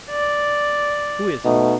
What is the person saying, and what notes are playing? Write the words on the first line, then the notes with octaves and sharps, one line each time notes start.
Who is he?'
D5
B2 A3 D#4